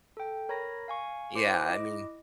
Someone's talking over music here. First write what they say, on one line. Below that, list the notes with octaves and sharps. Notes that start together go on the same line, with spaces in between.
Yeah, I mean
A4 G5
A#4 C#5 A#5 B5 A#6
F5 G#5 C#6
E4 C5 C6 D6
E4 D#5 D6